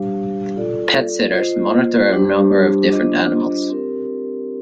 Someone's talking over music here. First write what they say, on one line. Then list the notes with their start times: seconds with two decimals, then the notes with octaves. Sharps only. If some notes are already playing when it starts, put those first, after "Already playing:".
Pet sitters monitor a number of different animals.
Already playing: G3 D4 G4 C5 F5
0.56 F4 A4 D5
1.35 F4 C5 D#5
2.13 G3 D4 G4 C5
2.90 D4 F4 C5 D#5
3.70 C4 G4 A#4